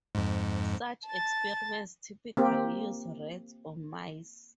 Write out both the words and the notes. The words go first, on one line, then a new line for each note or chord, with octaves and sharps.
Such experiments typically use rats or mice.
F2 G#2
A5 A6
A#3 C4 G4